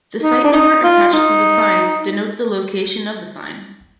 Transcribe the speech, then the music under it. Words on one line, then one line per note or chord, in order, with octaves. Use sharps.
The site number attached to the signs denote the location of the sign.
D#4
D4
D#4
F4
D#4